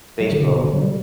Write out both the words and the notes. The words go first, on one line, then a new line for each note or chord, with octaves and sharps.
space probe,
F#3
D3
B2
B2
D3
F#3
G3